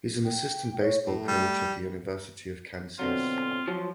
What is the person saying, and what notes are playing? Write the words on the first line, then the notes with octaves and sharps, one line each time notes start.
He is an assistant baseball coach at the University of Kansas.
G5
C#5
A2 A3
G3
B2 D3 F#3 C4 F4
F3 F#3